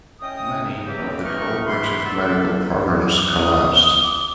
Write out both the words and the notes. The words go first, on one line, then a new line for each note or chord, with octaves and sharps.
Many of the cooperative medical programs collapsed.
A2 C#4 D#5 G5 D#6
E2 F#3 A#3 C4 G4
E3 F3 A3 D#5 C#6 F6
E3 B5 C6
F#4 A4 B4 D5 E5
D#6
D6